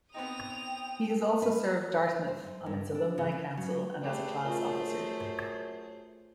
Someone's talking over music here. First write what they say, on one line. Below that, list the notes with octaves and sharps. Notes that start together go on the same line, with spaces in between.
He has also served Dartmouth on its Alumni Council and as a class officer.
B3 C4 D#4 G5 D#6 F7
B4
D#4
C5
F#2
G2
D4
C#3
C#4
F#3
G3 A3 G#4 C5
F#2 F4 A#4